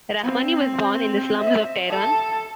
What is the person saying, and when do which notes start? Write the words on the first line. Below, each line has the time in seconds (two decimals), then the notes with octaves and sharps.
Rahmani was born in the slums of Tehran.
0.23 C4
1.41 E5
1.89 A4